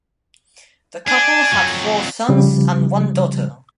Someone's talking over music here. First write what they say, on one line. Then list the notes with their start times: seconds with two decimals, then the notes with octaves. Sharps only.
The couple had four sons and one daughter.
1.08 D4 G#5
1.53 F2 F#3
2.29 C#3 F3 G3